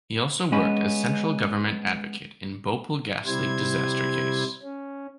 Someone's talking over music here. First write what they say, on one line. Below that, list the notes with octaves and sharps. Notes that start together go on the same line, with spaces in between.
He also worked as Central Government advocate in Bhopal Gas Leak Disaster case.
G#3 B3 C#4 B5
C3 G3 E4 C5 G#6
C#4